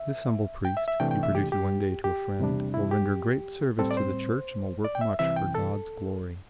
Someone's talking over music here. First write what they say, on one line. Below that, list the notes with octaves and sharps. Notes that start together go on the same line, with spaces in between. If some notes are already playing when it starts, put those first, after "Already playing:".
"This humble priest," he predicted one day to a friend, "will render great service to the Church and will work much for God's glory."
Already playing: E5
G5
E5
E5
C3 E3 A3 D4 G5
G5
E5
G4
G4
G4
E2 C3 G3 D4
E4
G4
A2 G3 C4 A4
D5
C5
D5
G5
E5
C2 C3 E3 E5
G5
A4